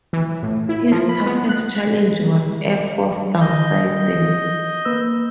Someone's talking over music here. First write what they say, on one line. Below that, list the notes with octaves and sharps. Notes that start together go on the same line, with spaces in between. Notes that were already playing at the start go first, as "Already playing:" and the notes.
His toughest challenge was Air Force downsizing.
E3
A2
E4
F3
B5
B3
F#6
D#5 G6
A#3 B4 E6